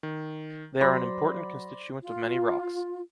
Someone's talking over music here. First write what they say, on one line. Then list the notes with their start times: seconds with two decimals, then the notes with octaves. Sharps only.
They are an important constituent of many rocks.
0.03 D#3
0.81 F#3 C5 D5 B5 A#6
2.03 F4